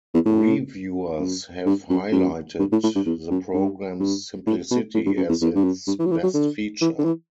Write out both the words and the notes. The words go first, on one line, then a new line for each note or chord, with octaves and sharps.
Reviewers have highlighted the program's simplicity as its best feature.
E2
A2
F#2
G2
F#2
F#2
G2
A2
A2
G2
E2
F#2
G2
G2
A2
B2
A2
G2
F#2
E2
E2
G2
F#2
G2
E3
F#3
E3
F#3
D3
E3
D3
E3